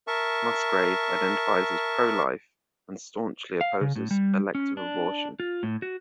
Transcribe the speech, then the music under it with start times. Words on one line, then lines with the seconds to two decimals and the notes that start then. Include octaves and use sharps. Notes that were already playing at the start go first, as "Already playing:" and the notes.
Musgrave identifies as pro-life and staunchly opposes elective abortion.
0.07 A#4 E5 A5 C#6
3.61 F5
3.81 C#3
3.96 A2
4.11 G3
4.55 C#4
4.77 D4
5.40 F4
5.63 A2
5.82 F#4